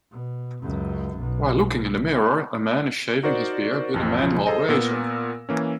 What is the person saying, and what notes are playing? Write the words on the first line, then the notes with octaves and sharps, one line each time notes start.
While looking in the mirror, a man is shaving his beard with a manual razor.
B2
C#2 F#2
B1
D#4 F#4 A#4 C5 D5
A1 F2 C4
B1 C#3 F3
G#4 A4 C5 D#5
A#2 B3 A#4 E6 A#6
E3 A#3 C#4